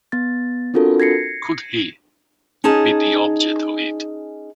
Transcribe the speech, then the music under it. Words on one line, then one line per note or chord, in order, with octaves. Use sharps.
Could he be the object of it?
B3 A6
C4 D4 F4 F#4 A4 A#4
G#6 A#6 C7 C#7
C#4 D#4 G#4 A5